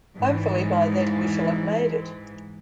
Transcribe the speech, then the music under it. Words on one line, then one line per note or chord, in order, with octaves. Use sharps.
Hopefully, by then we shall have made it.
G#2 E3